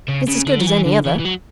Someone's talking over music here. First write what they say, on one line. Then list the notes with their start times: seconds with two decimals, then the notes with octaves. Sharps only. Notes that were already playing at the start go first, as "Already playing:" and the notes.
"It is as good as any other."
0.08 C#3
0.28 C#3
0.47 D3
0.61 F#3
0.67 E3
0.85 D3
1.05 E3
1.19 E3
1.25 F#3